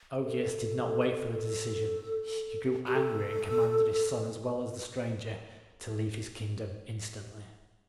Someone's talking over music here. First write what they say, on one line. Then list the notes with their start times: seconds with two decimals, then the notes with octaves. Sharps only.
Augeas did not wait for the decision; he grew angry and commanded his son as well as the stranger to leave his kingdom instantly.
0.19 A4
1.30 A4
2.87 G4
2.96 A4